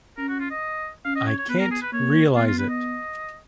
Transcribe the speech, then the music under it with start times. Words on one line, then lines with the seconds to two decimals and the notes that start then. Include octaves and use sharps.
I can’t realize it.
0.17 C#4 A#4
0.29 F#4
0.40 F4
0.51 D#5
1.05 C#4 F5
1.16 D#5
1.27 C#5
1.38 C#5
1.48 B3 B4
1.59 A#4
1.71 G#4
1.81 B4
1.93 A#3 C#5
2.36 B3 F4
2.47 F4
2.58 B4
2.69 D#5